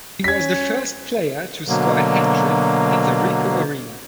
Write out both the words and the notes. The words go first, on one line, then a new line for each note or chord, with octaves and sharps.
He was the first player to score a hat-trick at the Ricoh Arena.
C#4 G#6 B6
B2 D3 F#3 A#3